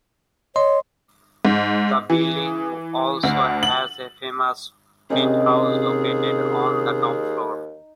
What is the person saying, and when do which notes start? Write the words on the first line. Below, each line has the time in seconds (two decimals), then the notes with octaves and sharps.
The building also has a famous penthouse located on the top floor.
0.56 C#5 D#5 C6
1.45 G#2
2.10 E3
3.23 D2
3.63 F#7
5.10 D#2 C3 C4 C#4 D#4 G#4 D#6